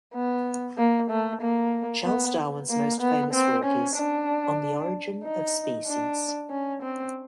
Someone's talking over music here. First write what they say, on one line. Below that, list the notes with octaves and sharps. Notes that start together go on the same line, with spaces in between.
Charles Darwin's most famous work is On the Origin of Species.
B3
A#3
A3
A#3
B3
A#3
B3
C4
C#4
D4
D#4
D4
C#4
C4